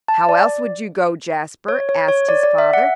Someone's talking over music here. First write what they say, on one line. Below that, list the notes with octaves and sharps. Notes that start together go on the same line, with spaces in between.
"How else would you go, Jasper?" asked his father.
A5
D5
C#5
C#5
C#5
D5
D5
E5
F#5